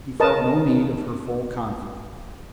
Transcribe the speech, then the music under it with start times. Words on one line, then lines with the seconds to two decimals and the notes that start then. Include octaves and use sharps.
He felt no need of her full confidence.
0.20 A#4 B4 D#5 A5